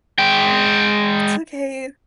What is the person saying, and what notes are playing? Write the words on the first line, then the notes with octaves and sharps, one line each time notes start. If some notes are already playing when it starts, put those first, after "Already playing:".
It's okay.
G#3 G5